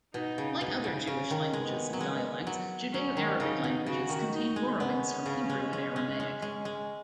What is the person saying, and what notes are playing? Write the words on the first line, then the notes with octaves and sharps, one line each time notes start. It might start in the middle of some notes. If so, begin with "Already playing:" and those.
Like other Jewish languages and dialects, Judeo-Arabic languages contain borrowings from Hebrew and Aramaic.
B2 D#4
C#3
B2 D#4
C#3
C#3 C#4
D#3
G#3 B3
F#3
G#3
F#3
F#3 C#4
D#3
C#3 D#4
B2
C#3 F#4
D#3
D#4
G#3
B3 C#4
C#3
G#3
G#3
G#3
G#3
G#3
G#3